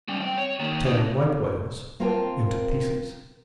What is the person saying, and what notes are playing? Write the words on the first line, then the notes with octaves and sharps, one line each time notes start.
Tear white whales into pieces.
G3 C#4
C4 G5
C#5
D#3 A#3
A2 D#4
A#3 C4 F4 A#4 G5 A5